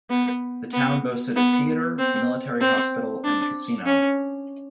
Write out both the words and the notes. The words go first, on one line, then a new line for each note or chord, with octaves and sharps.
The town boasted a theater, military hospital, and casino.
B3
B3
B3
C4
C4
D4
C#4